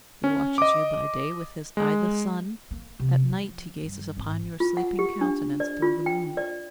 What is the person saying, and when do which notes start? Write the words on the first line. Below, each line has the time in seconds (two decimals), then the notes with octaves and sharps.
He watches you by day with his eye, the sun; at night, he gazes upon your sleeping countenance through the moon.
0.24 C#4
0.58 D#5 D6
1.77 G#3
2.71 A#3
3.00 C3
3.30 F3
3.83 G2
4.17 G#1
4.60 F4
4.77 F#5
4.99 G4
5.21 D4
5.60 D5
5.82 F4
6.06 G5
6.37 D5